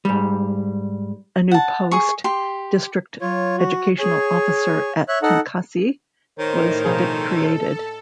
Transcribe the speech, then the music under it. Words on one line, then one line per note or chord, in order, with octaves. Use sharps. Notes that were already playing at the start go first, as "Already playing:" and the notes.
A new post, District Educational Officer at Tenkasi, was created.
G#2 G3
F#5 A5
G#4 C#6
G4 C6
F#3 F4 C#5
F#4
G#4 C#5 G#5
C#5 E5 F#6
D#4 A4 F#5
A2 D#3 D#4 A#4 C5 C#5
B2 F3 G#4 A4